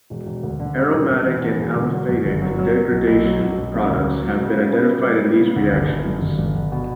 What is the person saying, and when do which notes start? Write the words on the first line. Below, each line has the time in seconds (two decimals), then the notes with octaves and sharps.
Aromatic and aliphatic degradation products have been identified in these reactions.
0.10 E1
0.26 E1
0.43 D2
0.60 D3
0.77 G3
0.93 E1
1.09 E1
1.26 E2
1.43 E2
1.59 E1
1.76 D3
1.92 F#3
2.09 F#2
2.25 G1
2.42 F#3
2.59 F#3
2.75 F#3
2.92 B1
3.07 B1
3.24 F#3
3.41 B1
3.58 B1
3.74 C#3
3.90 D2
4.07 F#3
4.24 F#3
4.40 C#3
4.57 C#3
4.73 B3
4.90 G3
5.06 G3
5.23 B3
5.40 C#3
5.56 D2
5.72 G1
5.89 G1
6.05 F#2
6.22 G1
6.38 G1
6.55 G1
6.72 B2